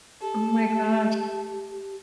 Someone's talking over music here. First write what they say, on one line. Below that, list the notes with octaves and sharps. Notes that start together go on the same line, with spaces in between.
Oh my gosh.
G4 A4